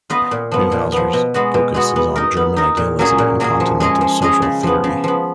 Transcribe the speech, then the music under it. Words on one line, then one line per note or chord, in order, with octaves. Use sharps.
Neuhouser's focus is on German Idealism and continental social theory.
B3 F4 B4 D#5
A#2
F3 B3
A#2
F3 B3
B2
G#3 B3 F#4
B2
G#3 B3 F#4
B3
D#4 A#4
B3
D#4 A#4
A#2
F#3 A#3 C#4 G#4
A#2
F#3 A#3 C#4 G#4
F3
G#3 C#4 G#4 D#5
F3
G#3 C#4 G#4 D#5
C#3
F3 B3
C#3
F3 B3